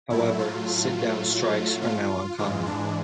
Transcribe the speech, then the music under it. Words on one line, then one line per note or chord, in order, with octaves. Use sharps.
However, sit-down strikes are now uncommon.
A2 F#3 A3 E4
F4
F4
G#2 E3 G#3 F4
D4